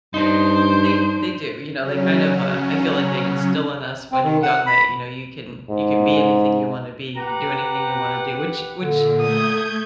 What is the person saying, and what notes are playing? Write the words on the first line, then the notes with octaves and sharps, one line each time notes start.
They they do, you know, they kind of, uh I feel, like, they instill in us when you're young that, you know, you can you can be anything you wanna be, you can do anything you wanna do, which which
G2 D4 D#4 C5
C#3 F#3 C#4
C4
D#3
F#5
B5
G#2
G4 B4 F#5 A#5
A#2 D3
A3 D#6 G6 G#6